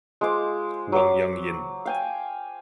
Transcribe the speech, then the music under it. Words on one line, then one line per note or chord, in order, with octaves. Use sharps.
Huang Yang Yin.
G#3 F4 C5 D6
F#3 D6
F5 G5 G#5